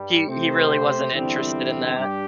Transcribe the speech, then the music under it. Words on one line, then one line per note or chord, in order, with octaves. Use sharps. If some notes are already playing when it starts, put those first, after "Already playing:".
he he really wasn't interested in that.
Already playing: G2 G3
C3 A3 C4 G4 C5
E2 D3 G3 C4 E4
G2 G3 D4 G4